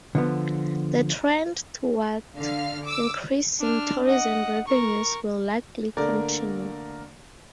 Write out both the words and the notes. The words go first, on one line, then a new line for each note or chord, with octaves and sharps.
The trend toward increasing tourism revenues will likely continue.
D3 F3 B3
D3 F5 F6
D6 E6
D4 F6
D#5 F#5
A#4 C#6
D3 A3 A#3 A#4 D5